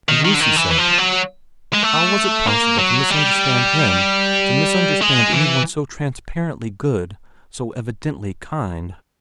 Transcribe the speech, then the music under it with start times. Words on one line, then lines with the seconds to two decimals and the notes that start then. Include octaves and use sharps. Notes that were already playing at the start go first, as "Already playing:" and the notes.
And Lucy said, How was it possible to misunderstand him, to misunderstand any one so transparently good, so evidently kind?
0.09 D#3
0.25 D#3
0.34 D3
0.41 D#3
0.56 E3
0.71 E3
0.78 F3
0.98 F#3
1.74 G#3
1.83 A3
2.47 A#3
2.79 F#3
3.11 G3
5.01 G#3
5.32 E3